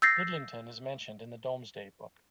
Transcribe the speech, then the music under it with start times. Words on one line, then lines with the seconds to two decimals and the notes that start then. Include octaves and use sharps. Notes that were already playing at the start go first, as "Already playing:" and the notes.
Lidlington is mentioned in the Domesday Book.
0.02 E6 G6 A6 A#6 C7